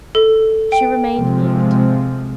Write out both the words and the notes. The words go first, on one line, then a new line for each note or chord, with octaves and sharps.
She remained mute.
A4
G5
C3 F3 G#3